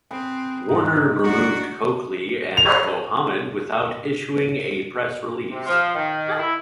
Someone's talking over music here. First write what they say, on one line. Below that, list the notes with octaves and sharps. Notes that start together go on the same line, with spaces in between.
Warner removed Cokely and Muhammad without issuing a press release.
C4 G#4 B4 G5
G#2 D#4
D4 F#4
F7
C3
F3
D#3
E4